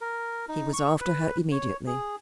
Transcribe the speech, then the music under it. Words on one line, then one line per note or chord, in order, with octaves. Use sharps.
He was after her immediately.
A#4
D#4
C#6
B4
C#5
G#4